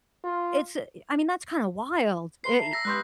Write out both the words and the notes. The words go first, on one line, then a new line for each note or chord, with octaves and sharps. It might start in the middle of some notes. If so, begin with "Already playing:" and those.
it's i I mean, that's kinda wild, i
F4
G#2 B4 C6 C7
E5 A5 A#5
E6 A#6 B6
G2 B2 G#3 C6 F#6 G6